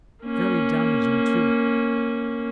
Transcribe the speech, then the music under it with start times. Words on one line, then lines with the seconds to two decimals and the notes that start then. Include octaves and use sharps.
Very damaging, too!
0.23 A#3 C#4